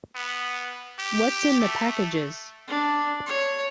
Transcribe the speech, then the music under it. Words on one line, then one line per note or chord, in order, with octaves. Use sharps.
What's in the packages?
B3
G4
A3
D4
C#5